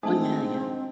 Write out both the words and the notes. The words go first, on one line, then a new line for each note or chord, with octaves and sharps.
Oh, yeah, yeah.
G#2 A3 C4 D4 G#5 A5 D#6